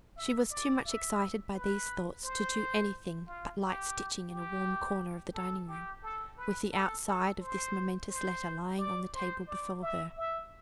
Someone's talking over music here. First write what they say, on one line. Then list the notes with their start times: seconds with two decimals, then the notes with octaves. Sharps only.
She was too much excited by these thoughts to do anything but light stitching in a warm corner of the dining-room, with the outside of this momentous letter lying on the table before her.
0.16 E5
0.51 D5
0.85 E5
1.54 B4
2.24 C5
3.27 F4
3.62 G4
4.30 G4
5.34 A4
5.68 G4
6.02 A4
6.37 B4
6.72 A4
7.06 A4
7.41 C5
8.10 C5
8.78 D5
9.13 C5
9.47 D5
9.82 E5
10.17 E5